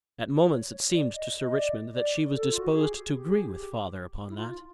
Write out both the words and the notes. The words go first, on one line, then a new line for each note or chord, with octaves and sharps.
At moments it seemed to Sir Richmond that she was disposed to agree with father upon that.
C#5
C#5
D5
D#5
D#5
D5
D5
A4
F4
F#4
G4
G#4
G4
G#4
G4
E4
F4